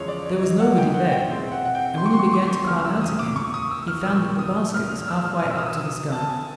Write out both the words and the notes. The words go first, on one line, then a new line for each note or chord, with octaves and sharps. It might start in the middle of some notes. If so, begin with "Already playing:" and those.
There was nobody there; and when he began to climb out again he found that the basket was half way up to the sky.
Already playing: E2 C#3 F3 G#3 C#5
D5
D5
D#5
F#5
G5
F#5
G5
B2 G#3 C4 E4
F#5
F#5
G5
C6
C#6
C6
C#6
C6
C#6
C6
C#6
C6
E2 C#3 F#3 A#3 F6
E6
D#6
D6
C#6
D#6
E6
F6
A#2 F3 A#3 E6
D#6
F6
F6
E6
F6
B2 F#3 A#3 C#4 F4 F6
E6
D#6
E6
D#6
A5
G#5